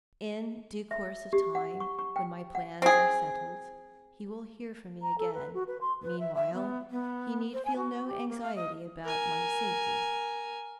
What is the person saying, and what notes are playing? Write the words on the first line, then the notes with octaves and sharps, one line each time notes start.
In due course of time, when my plans are settled, he will hear from me again. Meanwhile, he need feel no anxiety about my safety.
E5
G4
F#5
C#6
C#6
G5
F#5
C4 G#4
A#5
A4
B4
F#4
B4
C6
B4
E5
E5
B3
B3
C5
G#5
F#4
G4
A#3
F5
D#5
A#4 G#5